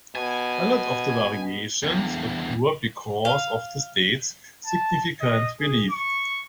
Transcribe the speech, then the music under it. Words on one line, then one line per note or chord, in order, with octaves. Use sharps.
A lot of variations occur because of the state's significant relief.
B2 G#5
E2 G2
F5
A5
D#5
G#4
C#6